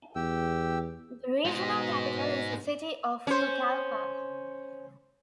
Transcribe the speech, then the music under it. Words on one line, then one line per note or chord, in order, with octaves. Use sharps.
The regional capital is the city of Pucallpa.
E2 G4 G5 E6
G#2 B2 G#3
C#4 C5